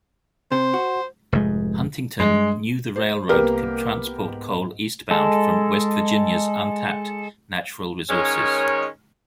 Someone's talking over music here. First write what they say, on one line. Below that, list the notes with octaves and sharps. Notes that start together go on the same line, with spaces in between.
Huntington knew the railroad could transport coal eastbound from West Virginia's untapped natural resources.
C3 C5
F#4
F1 G#2 G#3
G2 G#3
C5
C2 A#3 B3 G4 A#4
G#2
G#3 A4
D#3 G#3 C#4 A#4 C#5